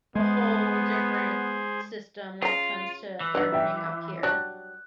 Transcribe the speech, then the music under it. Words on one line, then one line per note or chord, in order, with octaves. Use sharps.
a whole different system when it comes to gardening up here,
G#3 B3 G#4 C5
C#3 F4 A#5
E3
D4 D#4 B4 F#5
E5 G5
F#3 G3 D4 F#6